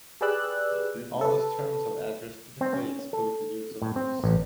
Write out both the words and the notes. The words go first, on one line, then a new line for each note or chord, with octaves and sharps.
All those terms of address typically exclude the use of "vous".
G4 G#4 B4 D5 E6 F#6
A4 B4
C4
C#4
A4
A2
C4
A1